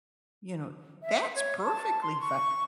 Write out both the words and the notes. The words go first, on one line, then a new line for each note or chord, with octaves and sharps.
You know? That's perfectly fine.
E5
C#5
A5
C6
C#6